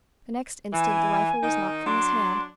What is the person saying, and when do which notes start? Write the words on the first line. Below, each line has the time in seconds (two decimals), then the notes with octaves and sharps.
The next instant, the rifle was knocked from his hand.
0.73 E3 G#5
1.43 D#3 D#4
1.86 F#3 D4 C6